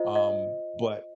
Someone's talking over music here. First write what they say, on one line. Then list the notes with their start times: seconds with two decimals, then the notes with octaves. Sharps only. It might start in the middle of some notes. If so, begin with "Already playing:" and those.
Um, but
Already playing: F4 C5 D#5
0.16 D#5